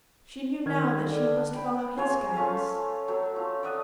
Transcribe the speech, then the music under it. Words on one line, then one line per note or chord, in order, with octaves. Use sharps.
She knew now that she must follow his guidance.
D#3 F6 G#6
D3 D4
G5 B5
F4 G#4 C5 C#5
A3 C#4 F4 F5
F#3 A3 C#5
F4
D5 E5 F#5 D#6